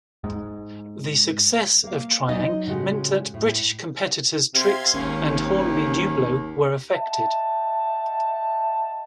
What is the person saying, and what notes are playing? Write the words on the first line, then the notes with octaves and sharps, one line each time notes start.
The success of Tri-ang meant that British competitors Trix and Hornby-Dublo were affected.
G#2
A#3 F5
F#3 D#4 D#5
A2 C#3 G#3 F#4 G4
A2
C3 F5 C6 G#6
G#1 D#2 C#4
D#5 E5 F#5 G5 A5